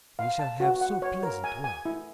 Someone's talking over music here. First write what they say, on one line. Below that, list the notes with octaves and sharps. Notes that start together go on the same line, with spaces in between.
We shall have so pleasant walk.'
F5
A5
F#4
F#5
C#5
A#4
G#5
G#5
E4